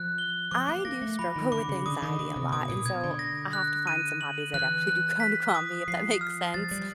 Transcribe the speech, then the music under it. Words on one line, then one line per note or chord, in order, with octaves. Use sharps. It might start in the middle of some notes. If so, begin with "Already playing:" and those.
I do struggle with anxiety a lot, and, so, I have to find some hobbies that actually do kinda calm me, if that makes sense.
Already playing: F3 F#6
G7
F3 D6
A#3
A#3 A#6
A3
F3 B5
D#3
D3 D6
C#3
D3 D#6
D#3
D3 D#6
C3
B2 D#6
A#2
B2 G#6
D3
A#6
F#6
D#7
F#7
E3 F#6
F#6
B6
D#6
F3 C7
F6
F3 A6
G3